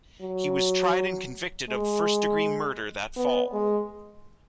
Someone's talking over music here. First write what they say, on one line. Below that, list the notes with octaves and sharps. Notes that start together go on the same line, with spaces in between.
He was tried and convicted of first degree murder that fall.
F#3
G#3
B3
G#3